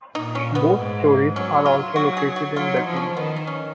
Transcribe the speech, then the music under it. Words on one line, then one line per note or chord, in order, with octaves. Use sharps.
Both stories are also located in Bethany.
A#2 D#4
C#4
B3
G#2
F#3 C#4
F4
F#3 F#4
G#4
F#4
F#3 F4
D#4
F3
C#4
D#3 B3
D#4
C#4